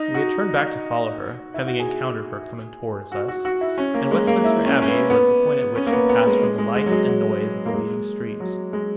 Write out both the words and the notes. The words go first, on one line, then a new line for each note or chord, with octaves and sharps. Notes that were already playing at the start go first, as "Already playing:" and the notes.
We had turned back to follow her, having encountered her coming towards us; and Westminster Abbey was the point at which she passed from the lights and noise of the leading streets.
Already playing: D#4
F#4
E4
F#4
G#4
F#4
F#4
F#4
E4
C#4
A#3
G#3
A#3
E4
C#4
C#4
B3
B3
C#4
A#3
B3
B3
G#3
G#3
G#3
G#3
F#3
G#3
F#3
A#3
G#3
F#3
G#3